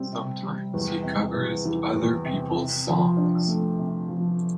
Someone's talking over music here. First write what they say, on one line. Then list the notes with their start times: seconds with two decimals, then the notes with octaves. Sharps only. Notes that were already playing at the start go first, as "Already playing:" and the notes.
Sometimes he covers other people's songs.
Already playing: C3 G3 C4
0.12 C3
0.43 G3
0.74 E2
1.03 C3
1.34 E2
1.65 E3
1.95 E2
2.25 C3
2.56 C3
2.87 F3
3.17 D4
3.48 A3
3.79 C3
4.09 F3